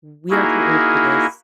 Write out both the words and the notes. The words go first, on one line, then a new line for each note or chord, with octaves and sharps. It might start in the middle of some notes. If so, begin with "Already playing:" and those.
We are too old for this
A#3 D#4 E4 F#4 G#4 A#4